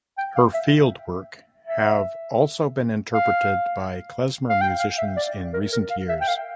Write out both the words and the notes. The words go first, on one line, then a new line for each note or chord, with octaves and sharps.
Her field work have also been interpreted by klezmer musicians in recent years.
G5
F5
E5
E5
F5
F5
G5
F5
E5
D5
A#4
A#4
F5
E5
G5
F5